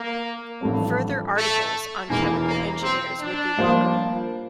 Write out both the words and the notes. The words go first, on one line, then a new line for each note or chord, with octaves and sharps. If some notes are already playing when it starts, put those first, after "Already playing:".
Further articles on chemical engineers would be welcome.
Already playing: A#3
A1 G2 F3 A3 C4
A3
E1 E2 E3 A#3
A#3
C4
D4
G2 F3 A#3 F4 C5